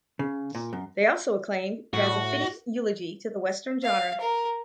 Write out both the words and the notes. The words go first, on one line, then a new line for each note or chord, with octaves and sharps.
They also acclaimed it as a fitting eulogy to the western genre.
C#3
A#2
F#2
A2 F#4
F5
A#4